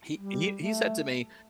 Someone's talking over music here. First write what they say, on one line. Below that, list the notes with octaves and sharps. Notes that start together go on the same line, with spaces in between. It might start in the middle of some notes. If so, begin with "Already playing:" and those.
he he he said to me,
G3
A3